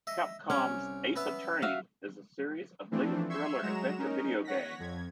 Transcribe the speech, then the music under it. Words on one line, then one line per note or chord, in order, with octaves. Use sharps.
Capcom's "Ace Attorney" is a series of legal thriller adventure video games.
D#5 E5
C2 C#4 C#6 D6
B3 B4 E5
F#4 E5 F5
E3 F3 A3 C4 D4
E5 C6 C#6 E6 G#6
F#3 G#3 F#4 A#5 E7
C#4 D#4 A#4
C#5 F#5 A#6 B6
F2 G#6